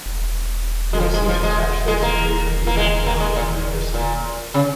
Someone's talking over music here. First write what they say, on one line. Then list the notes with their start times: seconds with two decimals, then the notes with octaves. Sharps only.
He received his bachelor’s degree from Evangel University.
0.93 G#3
1.00 F3
1.14 G#3
1.29 F3
1.43 G#3
1.88 G#3
2.03 A#3
2.67 A#3
2.77 G#3
3.07 A#3
3.20 G#3
3.36 A#2
3.94 A#2
4.54 C#3